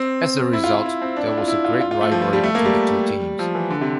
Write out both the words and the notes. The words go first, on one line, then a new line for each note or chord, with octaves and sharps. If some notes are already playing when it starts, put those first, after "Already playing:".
As a result, there was a great rivalry between the two teams.
Already playing: C4
E4
F4
F4
E4
C4
D4
E4
F4
E4
F4
F4
F4
A3
F3
F3
G3
A3
A#3
G3
F3
E3
D3
C3